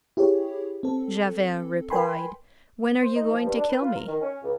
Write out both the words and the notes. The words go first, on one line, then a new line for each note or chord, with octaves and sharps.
Javert replied: "When are you going to kill me?"
E4 G4 G#4 C#5
C4 A4
A#4 B4 G5 G#5 B5 C6
C5
D#4
F3
G2
D4
B4
F4
A#4
D#3
C#4
C#2